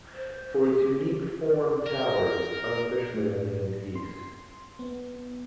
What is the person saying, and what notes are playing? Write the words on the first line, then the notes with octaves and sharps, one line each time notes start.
For its unique form towers unofficially are named "geese".
C5
G4
D5
A#4
A2
C6
B3